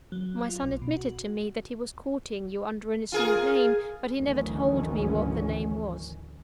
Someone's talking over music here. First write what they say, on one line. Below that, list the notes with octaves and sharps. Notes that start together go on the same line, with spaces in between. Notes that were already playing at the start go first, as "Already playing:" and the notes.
My son admitted to me that he was courting you under an assumed name, but he never told me what the name was.
F#3
F4
B1
B2
F#4
F4 G#4 A#4
G#1 D2 D#3 E3 F#3 C#4